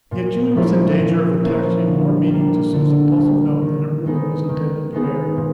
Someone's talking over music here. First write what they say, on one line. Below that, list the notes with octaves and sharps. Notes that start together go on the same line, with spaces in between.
Yet Jude was in danger of attaching more meaning to Sue's impulsive note than it really was intended to bear.
A#2
F3 A#3 C#4 E4
A#2
F3 A#3 C#4 E4
D3
G3 A#3
D3
G3 A#3
D#3
G#3 B3 D#4 G#4
D#3
G#3 B3 D#4 G#4
A#2